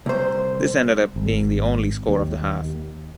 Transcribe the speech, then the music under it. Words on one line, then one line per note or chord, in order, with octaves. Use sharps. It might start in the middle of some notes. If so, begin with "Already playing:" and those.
This ended up being the only score of the half.
C2 C5
G#1
D#2